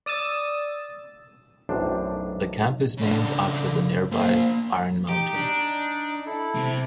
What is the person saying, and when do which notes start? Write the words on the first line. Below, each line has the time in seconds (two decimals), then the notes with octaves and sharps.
The camp is named after the near by Iron Mountains.
0.06 D5 D#6 E6 A6
1.69 B1 F#2 A2 D4 C5
2.97 C#3 D4
4.12 A#3 C5
5.09 D#4 G4
5.36 D4
6.26 E4 A4
6.55 C3